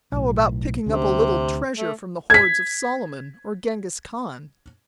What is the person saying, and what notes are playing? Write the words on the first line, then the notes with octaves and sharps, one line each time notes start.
How about picking up a little treasure from the hoards of Solomon or Genghis Khan?
B1 A2
D2 C3 C#4 D4
A3
G#6 B6